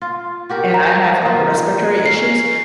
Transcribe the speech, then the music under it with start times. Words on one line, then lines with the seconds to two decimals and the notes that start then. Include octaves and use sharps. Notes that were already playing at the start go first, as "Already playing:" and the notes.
and I have upper respiratory issues,
0.02 F4
0.49 F#4 G4 A#4
0.74 A#5
1.22 F3 A#3
2.06 C#4 F5 C7